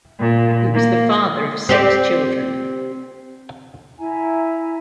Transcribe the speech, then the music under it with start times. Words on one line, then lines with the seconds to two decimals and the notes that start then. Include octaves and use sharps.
He was the father of six children.
0.20 A#2
0.74 A#3
1.69 C4 G4 D5
4.00 E4 E5 G#5 A#5